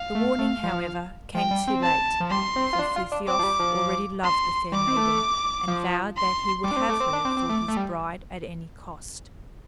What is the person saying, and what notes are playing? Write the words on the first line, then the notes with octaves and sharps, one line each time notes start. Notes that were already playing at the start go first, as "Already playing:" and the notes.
The warning, however, came too late, for Frithiof already loved the fair maiden, and vowed that he would have her for his bride at any cost.
Already playing: F5
A3
A3
F3
F3 G5
G3
C4
A5
F3
G3 C6
C4
F4
D4
F4
D4
C4 D6
F3
G3
F3
C6
G3 D6
C4
A3
F3
C6
G3 D6
D4
C4
A3
C4
D4
C4
C4
A3
A3
G3